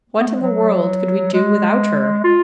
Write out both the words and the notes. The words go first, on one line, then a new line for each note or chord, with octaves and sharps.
What in the world could we do without her?
B3
A3
G#3
F#3
G#3
F4